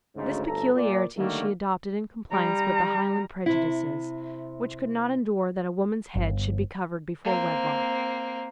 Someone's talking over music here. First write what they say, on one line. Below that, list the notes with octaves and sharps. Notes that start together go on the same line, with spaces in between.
This peculiarity she adopted in compliance with the Highland prejudices, which could not endure that a woman's head should be covered before wedlock.
D2 G#2 C#3
G1 D2 G2 A4 A#5
A#2 D5
D3 D#3 F#3 G3 A3 A#3
G3 A#5
C3 E4
G1
A#3 C4